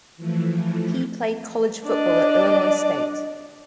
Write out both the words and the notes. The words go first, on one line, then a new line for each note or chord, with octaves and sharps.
He played college football at Illinois State.
E3 F3 A3
D4 D5 D#5